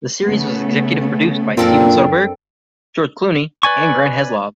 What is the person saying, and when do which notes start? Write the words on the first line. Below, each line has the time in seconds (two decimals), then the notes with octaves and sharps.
The series was executive produced by Steven Soderbergh, George Clooney, and Grant Heslov.
0.24 C#3 A3 B3
1.57 F#2 A#2 A#3 C4 D4 A4 A#4
3.63 B4 D5 G#5 C#6